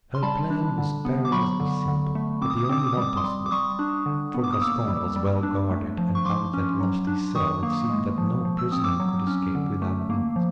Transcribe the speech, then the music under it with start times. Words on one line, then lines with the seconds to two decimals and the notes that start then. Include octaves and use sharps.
Her plan was perilously simple, but the only one possible; for Gaston was well guarded, and out of that lofty cell it seemed that no prisoner could escape without wings.
0.15 C6
0.22 G3 A5 B5
0.50 D4
0.78 D3
1.05 B3
1.25 D6
1.32 F#3 B5 C#6
1.60 D3
1.88 D3
2.15 A3
2.42 C4 D6
2.50 D#6
2.57 D6
2.64 D#6
2.69 C4 D6
2.79 D#6
2.87 D6
2.94 D#6
2.97 G3 D6
3.09 D#6
3.17 C6 D6
3.24 G3
3.46 D6
3.51 G3 C#6 D#6
3.79 D4
4.06 D3
4.34 B3
4.44 D6
4.53 D#6
4.61 A#3 D6 E6
4.88 G3
5.16 G3
5.43 D4
5.71 A3
5.98 F3
6.15 C#6
6.25 F3 C6 D6
6.54 C#4
6.80 F#3
7.07 D4
7.35 D#3 C#6 D#6
7.63 A#3
7.90 G#3
8.18 F3
8.45 F3
8.59 E6
8.72 C4 D#6
8.84 D6 E6
9.00 F#3
9.27 C#4
9.55 D3
9.82 A3
10.10 A#3
10.36 F3